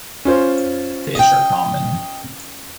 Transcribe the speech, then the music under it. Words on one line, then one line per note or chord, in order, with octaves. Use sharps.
Fish are common.
C#4 F4 C5
D#5 G5